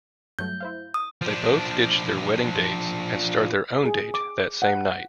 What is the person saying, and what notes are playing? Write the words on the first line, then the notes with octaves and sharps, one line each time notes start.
They both ditch their wedding dates and start their own date that same night.
G2 F#3 A3 G6
E4 C5 F5
D#6
F3 D4
G#4
D6
F#5